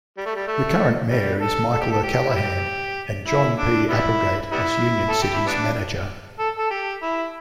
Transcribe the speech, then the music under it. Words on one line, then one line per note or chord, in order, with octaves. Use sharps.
The current mayor is Michael O'Callaghan, and John P. Applegate is Union's City Manager.
G3
A3
G3
A3
G3
A4
A4
G4
A4
G4
E4
G4
E4
D4
G3 B3 E4
G3 B3 E4
A4
G4
E4
G3 B3 D4
A4
A4
G4
E4